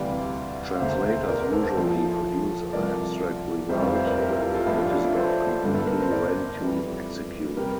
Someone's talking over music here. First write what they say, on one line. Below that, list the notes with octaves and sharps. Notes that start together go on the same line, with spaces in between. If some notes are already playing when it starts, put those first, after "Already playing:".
Translators usually produce an abstract result that is not completely ready to execute.
Already playing: D2 C3 E3 G3 D5 F5
F5
E1 D2 D3 C5 E5
A#4 D5
A4 C5
A#1 A2 F3 A3
C2 C3 F3 A3 A#4 D5
F1 F2 E3 G3 C5 E5
D5 F5
C5 E5
A#4 D5
G4 A#4
E4 G4
F4 A4
F4 A4
A1 A2 F3 A3 E4 G4
D4 F4
D4
E4
A4 C5
G1 G2 D3 A3
A4
A#4
C5
A#4 D5
F2 E3 G3
C3 G3 G4 A#4